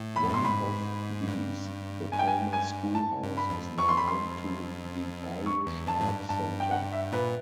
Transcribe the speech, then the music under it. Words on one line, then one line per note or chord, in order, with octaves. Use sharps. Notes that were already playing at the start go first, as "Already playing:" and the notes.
One of these, the former schoolhouse, is now home to the Irish Harp Centre.
Already playing: A2
B5
F2
F#2
G2 C6
G#2 B5
G2
G2 G#5
G5
G#5
G#5
A5
G2
B5
F2
F2 C#6
C6
B5
C6
C#6
E2
F2 A5
G#2
G2
G2 A5
G5
F#5
E5
A#2 B4